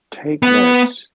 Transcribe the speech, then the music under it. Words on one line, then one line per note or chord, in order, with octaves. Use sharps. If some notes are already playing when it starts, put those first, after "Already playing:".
Take notes.
B3